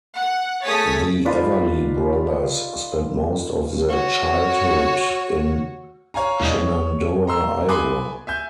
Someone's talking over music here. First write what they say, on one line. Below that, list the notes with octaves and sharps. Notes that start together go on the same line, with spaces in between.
The Everly brothers spent most of their childhood in Shenandoah, Iowa.
F#5
A3 G#4 C#5 D#6 A6 B6
D#4 F4 B4 D5
F#4 C#5
C#5 F5 G#5 A#5
E1 D4 E4 C#5 D#5
C#5
A#5 C6 E6
G#5 B5 C6 D6 D#6 F#6
E5 G#5 G6